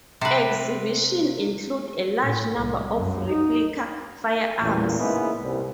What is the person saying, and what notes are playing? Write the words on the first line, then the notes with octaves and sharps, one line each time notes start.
Exhibitions include a large number of replica firearms.
C3 B4
A2
C2
F#2
D#4
A1 E2 A#2
G#2 C#3 G#3 A#3 B3 E4
C2